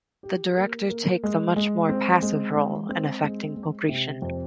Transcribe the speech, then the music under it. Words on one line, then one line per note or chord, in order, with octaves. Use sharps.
The Director takes a much more passive role in affecting Poprishchin.
G4
A#3
A#3
G#3
G#3
C4
G#3
G#3
C4
G#3
G#3
C3
F2